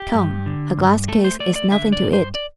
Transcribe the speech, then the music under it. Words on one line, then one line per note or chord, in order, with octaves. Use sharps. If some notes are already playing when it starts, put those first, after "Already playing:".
Come, a glass case is nothing to it.
Already playing: G4
G2
D3
G2
A3 A4
C5
A3 D5
D5
D3 E5
D5
G2
C5
D5